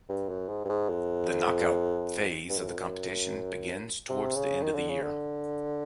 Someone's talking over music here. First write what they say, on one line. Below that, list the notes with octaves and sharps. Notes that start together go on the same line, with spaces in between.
The knockout phase of the competition begins towards the end of the year.
G2
F#2
G#2
G2
G#2
F2
G2
F#2
F2
F#2
C3
C#3
D#3
D3
C#3
D3